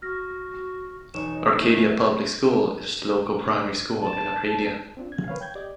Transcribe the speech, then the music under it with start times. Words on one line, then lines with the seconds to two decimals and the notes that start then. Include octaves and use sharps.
Arcadia Public School is the local primary school in Arcadia.
0.02 F#4 F6 A#6
1.14 E1 D#4 C#5 D#6 E7
1.61 G#3 A3 E4
4.01 A5
4.97 C4 D4 F4
5.12 G#6
5.28 A#4 B4 C#5 F5
5.41 G5 G6 G#6
5.55 G4 D5 D#5